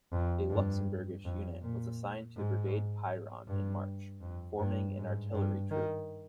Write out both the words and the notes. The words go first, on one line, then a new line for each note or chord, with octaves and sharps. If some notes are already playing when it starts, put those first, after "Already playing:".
A Luxembourgish unit was assigned to "Brigade Piron" in March, forming an artillery troop.
F2
G2
F2
A#2
G#2
G2
F2
G2
G#2
G2
D#3